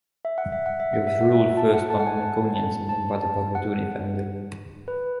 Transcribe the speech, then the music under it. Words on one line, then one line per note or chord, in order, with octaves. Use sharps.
It was ruled first by Mamikonians and then by the Bagratuni family.
E5
F#5
E5
F#5
E5
F#5
E5
F#5
E5
A5
F#5
A5
F#5
G#5
A5
A5
A5
A5
F#5
B4